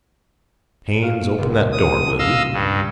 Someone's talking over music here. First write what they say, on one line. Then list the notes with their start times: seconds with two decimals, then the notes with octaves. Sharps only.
Haines, open that door, will you?
1.02 F#4 F5
1.38 C#2 A#2
1.72 D#6
2.19 D#5 F5 E6
2.53 G2